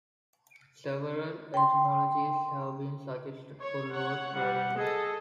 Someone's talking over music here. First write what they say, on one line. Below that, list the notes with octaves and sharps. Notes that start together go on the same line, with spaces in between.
Several etymologies have been suggested for the word "Radhanite".
G5 C6
C#5
C#5 F#5
G3 F#5
G#4 A4 D#5